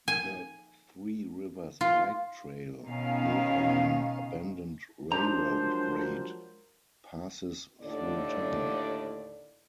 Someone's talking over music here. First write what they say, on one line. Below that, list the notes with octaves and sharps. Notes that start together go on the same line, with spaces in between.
The Three Rivers Bike Trail, built on an abandoned railroad grade, passes through town.
G#5
F4
B2 D#3 C#4 D#4 F5
F3 F#3 G#3 D4 G4 A#4 C5 A#5
D#2 A2 D3 D5